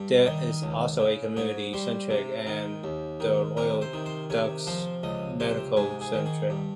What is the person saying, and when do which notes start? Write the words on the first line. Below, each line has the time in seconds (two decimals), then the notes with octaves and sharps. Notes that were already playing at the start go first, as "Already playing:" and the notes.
There is also a community centre and the Royal Docks Medical Centre.
Already playing: G2
0.26 D#3 D#5
0.63 C#2
1.00 C#3
1.37 G#2 C#5
1.73 G3 C5
2.10 C3
2.47 D#3
2.84 D#2
3.20 D#3
3.57 C3 A#4
3.81 C5
3.93 D#3
4.06 C5
4.30 C3 C#5
4.67 F3 C5
5.03 C#2 D#5
5.40 C3 C5
5.77 G#2 G#4
6.01 G#4
6.13 D#3
6.26 G#4
6.50 G2